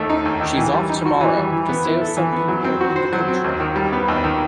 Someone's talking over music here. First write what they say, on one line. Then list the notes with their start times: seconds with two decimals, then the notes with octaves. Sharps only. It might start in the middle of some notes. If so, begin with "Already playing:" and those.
She's off tomorrow to stay with some people in the country.
Already playing: D#2 D#3 A3
0.10 D#4
0.25 D#2
0.41 D#3
0.58 E3
0.73 G3
0.89 D#4
1.05 F#4
1.21 E3
1.36 G3
1.52 E3
1.69 B3
1.85 E4
2.01 A4
2.17 E3
2.33 B3
2.48 F#3
2.64 C4
2.81 F#4
2.96 C5
3.13 F#3
3.28 C4
3.44 D#2
3.60 D#3
3.76 G3
3.93 B3
4.08 D#2
4.24 D#3